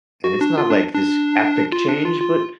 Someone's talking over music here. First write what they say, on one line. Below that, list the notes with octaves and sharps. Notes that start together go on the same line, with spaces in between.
and it's not like this epic change, but
F#4
D4
F4
D4
D4
F4
D4
F4
F4